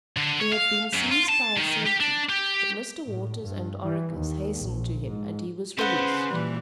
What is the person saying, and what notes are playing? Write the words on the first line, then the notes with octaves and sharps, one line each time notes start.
He had been seized by a sentry; but Mr. Waters and Oracus hastened to him, and he was released.
D3
C#5
F5
F#2
F4
A5
D#3
G4
D4
G4
A2
G2
E3
D#2
A#1
G#2
C#3 B4 C5 F#5
A#2 E3 G3